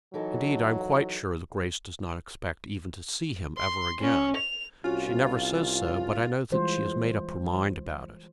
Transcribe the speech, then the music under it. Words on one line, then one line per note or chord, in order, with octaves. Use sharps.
Indeed I am quite sure that Grace does not expect even to see him ever again. She never says so, but I know that she has made up her mind about it.
E3 F#3 D#4 A4
C6
C#4
F7
C2 C#4 F4 F#4
E3 G3 G#3 F4 C5